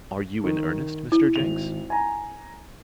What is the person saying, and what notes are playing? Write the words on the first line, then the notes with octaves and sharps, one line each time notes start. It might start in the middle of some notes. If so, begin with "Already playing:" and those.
"Are you in earnest, Mr. Jenks?"
D#3
E4
G#1 F7
G#5 A#5